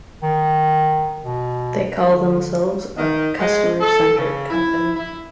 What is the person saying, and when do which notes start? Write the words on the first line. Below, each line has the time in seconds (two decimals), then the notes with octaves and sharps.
They call themselves a customer-centric company.
0.22 D#3
1.24 B2
2.08 D3
2.96 D#3
3.39 G#3
3.80 A4
4.16 C#3
4.50 E4
4.96 E4